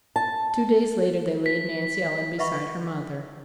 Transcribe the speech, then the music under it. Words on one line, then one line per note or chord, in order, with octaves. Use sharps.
Two days later they laid Nancy Ellen beside her mother.
A5
B6
B4 D#5 E5 F#5 B5 C#6